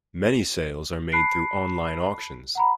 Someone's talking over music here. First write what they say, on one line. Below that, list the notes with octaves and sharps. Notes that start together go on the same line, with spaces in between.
Many sales are made through online auctions.
A5 B5 F#6 C7 D7
F#5 A#5 B5